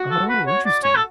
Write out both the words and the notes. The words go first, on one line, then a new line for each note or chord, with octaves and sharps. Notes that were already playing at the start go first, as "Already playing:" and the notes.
Oh, interesting.
Already playing: F#4
A4
B4
C#5
D5
C#5
A4